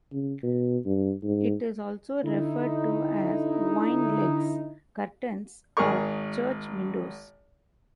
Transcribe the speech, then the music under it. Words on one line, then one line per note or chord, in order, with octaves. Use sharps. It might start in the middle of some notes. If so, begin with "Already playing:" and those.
It is also referred to as wine legs, curtains, or church windows.
C#3
B2
G2
G#2
D3 D#4 E4
G#1 G#4 A#4 C#6